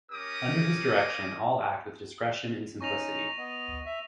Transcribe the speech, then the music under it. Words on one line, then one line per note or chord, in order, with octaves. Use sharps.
Under his direction all act with discretion and simplicity.
C#4 G4 A#4 D6 D#6
C#4 D#4 C#6 A#6 F7
B3 D#5
E5